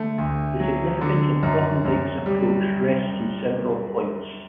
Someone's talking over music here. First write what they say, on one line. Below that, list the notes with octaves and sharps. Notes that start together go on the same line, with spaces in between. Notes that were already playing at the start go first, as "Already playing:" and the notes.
The significance of Grothendieck's approach rests on several points.
Already playing: D3 A3
D2
F#3
D3
F#2
F#2
G3